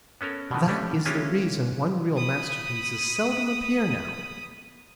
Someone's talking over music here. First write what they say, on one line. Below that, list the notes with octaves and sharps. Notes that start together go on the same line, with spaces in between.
That is the reason one-reel masterpieces seldom appear now.
B3 C#4 A4 A#4
B2 D3 D#3 F3 F#3
G3 A3 C#4 D4
G#3 A#3 C#4 E4 F4 G4
B5 D#6